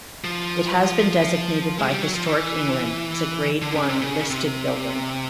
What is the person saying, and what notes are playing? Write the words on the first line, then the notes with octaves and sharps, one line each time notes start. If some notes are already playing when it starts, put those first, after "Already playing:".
It has been designated by Historic England as a grade one listed building.
F3
G#3
G3
F#3
F3
E3
D3
C#3
C3
C#3
C3